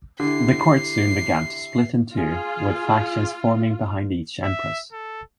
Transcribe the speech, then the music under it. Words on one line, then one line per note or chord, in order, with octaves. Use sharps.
The court soon began to split in two, with factions forming behind each empress.
D3 E4 G4 C7
F4 G#4
E5
A4